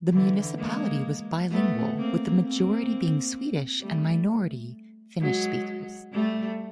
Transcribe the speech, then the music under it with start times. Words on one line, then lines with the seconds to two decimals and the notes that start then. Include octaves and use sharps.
The municipality was bilingual, with majority being Swedish and minority Finnish speakers.
0.12 D3 E3
0.58 G#3 A#3
1.50 A3 B3
1.97 A#3 C4
2.43 A#3 C4
3.81 G3 A3
5.20 F#3 G#3
6.13 G3 A3